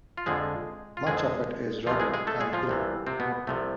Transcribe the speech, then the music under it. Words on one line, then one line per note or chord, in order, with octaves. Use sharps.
Much of it is rugged and hilly.
F4
F2 D3 F3 G#3 G#4
F4
F2 D3 F3 G#3 G#4
C2 C3 E3 F3 F4
G#3 G#4
G#3 G#4
A3 A4
G#3 G#4
F3 F4
C2 C3 E3
C3 C4
B2 B3
C2 C3 F3 A3